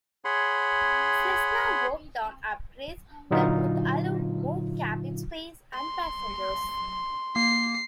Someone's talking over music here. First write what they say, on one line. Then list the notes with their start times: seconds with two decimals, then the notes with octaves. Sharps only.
Cessna worked on upgrades that would allow more cabin space and passengers.
0.25 G#4 C#5 F#5 B5 C6
3.31 A#2 D3 F#3 D#4 F4
5.73 C6
7.36 A#3 C7